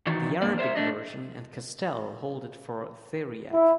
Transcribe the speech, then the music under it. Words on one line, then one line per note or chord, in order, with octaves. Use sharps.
The Arabic version and Castell hold it for "theriac".
D#3 E3 D#4 F#4 D5
G2 A#3 D5
A#4 C5 D5 E5
A3 D4 D#5
E4